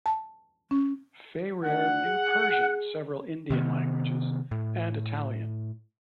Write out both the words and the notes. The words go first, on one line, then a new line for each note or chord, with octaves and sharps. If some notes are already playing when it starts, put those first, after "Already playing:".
Fayrer knew Persian, several Indian languages and Italian.
A5
C#4
D2 D4 F#5
G#4
C3 D#3 B3
A2